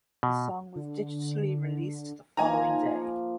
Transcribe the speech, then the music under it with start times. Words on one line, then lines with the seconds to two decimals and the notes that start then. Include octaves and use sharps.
The song was digitally released the following day.
0.23 B2
0.76 D3
2.37 F3 A#3 D#4 G#5 A#5